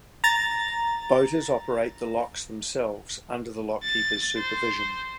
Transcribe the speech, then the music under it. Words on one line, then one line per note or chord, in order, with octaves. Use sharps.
Boaters operate the locks themselves under the lock keeper's supervision.
A#5 A6
A6
C5